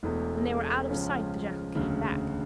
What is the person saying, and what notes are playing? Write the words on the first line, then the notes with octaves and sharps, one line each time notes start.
When they were out of sight the jackal came back.
E1 E2 E3 A3
C#2 C#3 F3 C#4
E1 D2 C#3